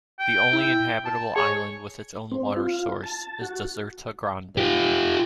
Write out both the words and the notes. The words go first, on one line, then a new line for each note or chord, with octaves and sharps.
The only inhabitable island, with its own water source, is Deserta Grande.
G5
E4
A5
G#4 C#5
C4
F4
A5
F#4
F4 G4